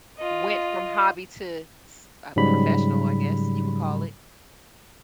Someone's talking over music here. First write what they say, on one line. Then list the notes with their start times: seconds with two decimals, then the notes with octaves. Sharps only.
went from hobby to, s uh, professional, I guess, you would call it,
0.18 F4 D#5
2.36 G#2 C#3 F#3 G3 B5